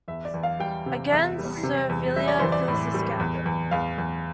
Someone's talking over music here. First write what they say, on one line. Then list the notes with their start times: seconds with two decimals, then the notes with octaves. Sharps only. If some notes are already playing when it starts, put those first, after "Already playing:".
Again, Servilia fills this gap.
0.08 E2 E5
0.25 D5
0.34 E2
0.43 F5
0.60 G3 G5
0.86 C3
1.12 E2 E5
1.38 G3
1.63 C3
1.89 E2
2.16 G3 E5
2.28 D5
2.39 E3 C5
2.52 D5
2.68 A2
2.94 G3
3.20 E2
3.46 E2
3.71 E2 F5
3.98 E2